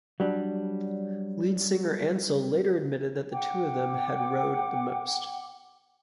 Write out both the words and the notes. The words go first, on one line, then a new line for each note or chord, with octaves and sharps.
Lead singer Ansell later admitted that the two of them had rowed the most.
F#3 G3 D4
F#5 G5 D6